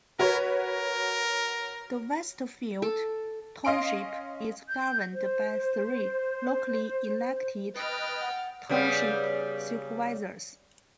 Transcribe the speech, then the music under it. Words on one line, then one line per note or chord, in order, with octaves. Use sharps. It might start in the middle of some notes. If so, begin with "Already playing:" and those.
The Westfield Township is governed by three, locally elected Township Supervisors.
F#4 A#4 B4 C#5
A#4
A4
C#4 D#5 F5 C6 D7
G6
C5
B4 D#5 G5 F6 A6
F#5
C#3 G3 B3